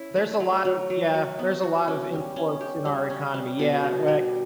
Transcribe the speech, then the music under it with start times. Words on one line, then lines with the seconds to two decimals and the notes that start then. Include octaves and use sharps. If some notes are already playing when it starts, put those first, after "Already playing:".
There's a lot of yeah, there's a lot of imports in our economy yeah. We yeah,
Already playing: C#4 E4
0.16 A3
0.40 F#3
0.65 F#3
0.90 F#3
1.14 F#4
1.39 B3
1.63 F#4
1.88 C#4
2.12 G3
2.36 C#4
2.61 G4
2.85 G3
3.10 C#4
3.34 G3
3.59 B2
3.84 G3
4.08 G3